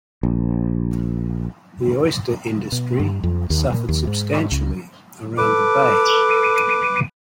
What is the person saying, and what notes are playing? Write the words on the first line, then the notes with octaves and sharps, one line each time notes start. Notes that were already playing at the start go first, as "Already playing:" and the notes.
The oyster industry suffered substantially around the bay.
A#1
B2
G2
F2
D#2
A#2
D#2
G#2
C#2
A4 B4 D6